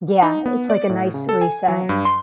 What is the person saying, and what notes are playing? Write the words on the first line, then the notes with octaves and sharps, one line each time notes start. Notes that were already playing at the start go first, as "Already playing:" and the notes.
Yeah, it's, like, a nice reset
D#4
B3
D5
A2
C#3
A4
G#5
F#3
G2
C6